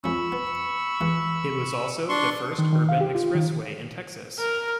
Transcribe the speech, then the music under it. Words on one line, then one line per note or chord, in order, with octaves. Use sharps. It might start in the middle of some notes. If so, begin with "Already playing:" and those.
It was also the first urban expressway in Texas.
F2 C#4 B5 C#6 E6
B3
E2 E3
D4 C6 C#6
D#3
D#3
F5
G4
F4
D#3
A#4